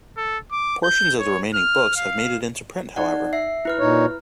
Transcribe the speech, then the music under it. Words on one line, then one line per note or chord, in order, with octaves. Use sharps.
Portions of the remaining books have made it into print, however.
A4
D6
G6
C#5
F6
F5
D#4 D5 F#5
E5 C7
E4 B4 F6
A#2 D#4 C#5